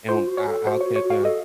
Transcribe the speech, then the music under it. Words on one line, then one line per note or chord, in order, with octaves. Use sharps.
and I I'll catch her
F4 C5
F#4
C#5
A4
F#4 C5
C#5
F#4
C#5
F#4
F5
A4 D#5